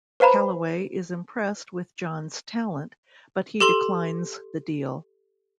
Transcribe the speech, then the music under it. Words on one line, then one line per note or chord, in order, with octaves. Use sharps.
Calloway is impressed with John's talent, but he declines the deal.
B4 C5 F5 A#5 B5
G4 A4 C6 F#7